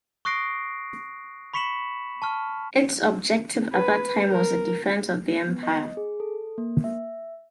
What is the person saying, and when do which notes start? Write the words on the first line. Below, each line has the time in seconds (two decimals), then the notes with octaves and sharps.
Its objective at that time was the defence of the Empire.
0.25 C#6 D#6 F#6 A#6 C7 D7
1.54 B5 C#6 B6 C#7 E7 F#7
2.22 A5 C#6 F6
3.73 B4
4.29 A#4
5.48 B3
5.63 D#5
5.97 G#4
6.20 A4
6.58 A#3
6.84 E5